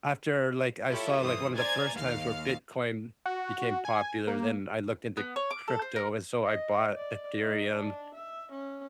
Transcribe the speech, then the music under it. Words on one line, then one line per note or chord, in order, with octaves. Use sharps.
after, like, I saw, like, one of the first times where Bitcoin became popular, then I looked into crypto, and so I bought Ethereum,
E4 F4 G4 A4 C#5 E5
G2 E3 A3 C5 D#6
C5 D5 G#5 A#5 G#6 A6
D#2 F5 F6
F#4
G#5
A#3
B3
C#5
D6
A4
C5
A#4
D#5
D5
D#4
D4
E5
C#4